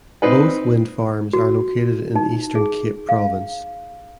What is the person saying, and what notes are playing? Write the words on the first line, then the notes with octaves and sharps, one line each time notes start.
Both wind farms are located in Eastern Cape Province.
C4 D#4 B4
F#4
D#4
G#4
F5